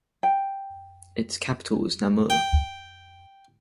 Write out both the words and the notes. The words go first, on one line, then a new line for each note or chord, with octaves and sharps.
Its capital was Namur.
G5
G5